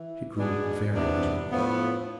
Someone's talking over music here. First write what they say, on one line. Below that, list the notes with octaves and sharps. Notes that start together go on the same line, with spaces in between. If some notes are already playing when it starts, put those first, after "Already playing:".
She grew very miserable.
Already playing: E3
B2 G#3 B3 D4 G#4
C3 E3 B3 D4
A2 F3 B3